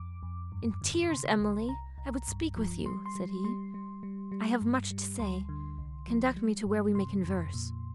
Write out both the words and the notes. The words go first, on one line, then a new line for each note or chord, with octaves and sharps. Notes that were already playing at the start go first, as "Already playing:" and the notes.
'In tears, Emily! I would speak with you,' said he, 'I have much to say; conduct me to where we may converse.
Already playing: F2 D6
F2
G2
D3
C3 C6
C2
C2 A#5
C2
G2
F3
G3 C6
C6
G3
G3 C6
G3
G3
G3
G2
G3
D2 C6
D3
C2
F3
G3
G2
C3 C6
F2
A#2